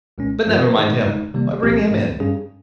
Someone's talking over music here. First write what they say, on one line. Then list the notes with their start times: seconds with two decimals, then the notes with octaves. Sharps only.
But never mind him, why bring him in?
0.18 C2 A#2 G#3 C#4
0.47 G2 F3 C4 F4 A#4
0.76 D#3 G#3 D#4 G#4 C5
1.05 F2 C#3 G#3 D#4
1.34 C3 D#3 G3 A#3
1.63 C2 A#2 F3 C4 G4
1.91 G#2 G3 A#3
2.20 G2 G3 C#4 G#4